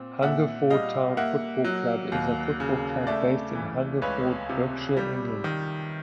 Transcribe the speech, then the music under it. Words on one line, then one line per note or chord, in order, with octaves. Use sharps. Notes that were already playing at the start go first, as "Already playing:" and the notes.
Hungerford Town Football Club is a football club based in Hungerford, Berkshire, England.
Already playing: A#2 C4
A#2 E5 F#5
G3 D#5 F5
A#3 E5 F#5
F#3
D#2
C#3
A3 D5 E5
E3
C#2 B4 C#5
C3
G3
D#3